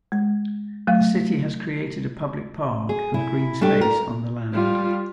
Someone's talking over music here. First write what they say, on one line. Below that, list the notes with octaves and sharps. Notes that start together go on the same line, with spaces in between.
The city has created a public park and green space on the land.
G#3
F#3 A3 F5
G#4
E4
G3 A3 D4 G4
A#4
G3 F4